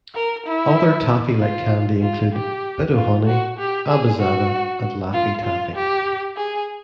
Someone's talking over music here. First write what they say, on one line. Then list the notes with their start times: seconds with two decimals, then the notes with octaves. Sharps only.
Other taffy-like candy include Bit-O-Honey, Abba-Zaba, and Laffy Taffy.
0.15 A#4
0.46 E4
1.40 F4
2.02 F4
2.33 G4
2.95 F4
3.26 F#4
3.58 G4
3.88 G#4
4.20 F#4
5.13 F4
5.44 F4
5.75 G4
6.37 G#4